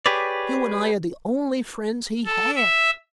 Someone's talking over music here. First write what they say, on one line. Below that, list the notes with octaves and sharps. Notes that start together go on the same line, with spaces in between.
You and I are the only friends he has.
G4 G#4 B4 C#5 D5
A4
E5